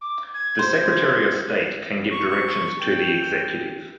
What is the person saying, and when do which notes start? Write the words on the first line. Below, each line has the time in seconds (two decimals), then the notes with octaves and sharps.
The Secretary of State can give directions to the Executive.
0.01 D6
0.34 G#6
0.59 C5
2.11 C#6
2.82 G5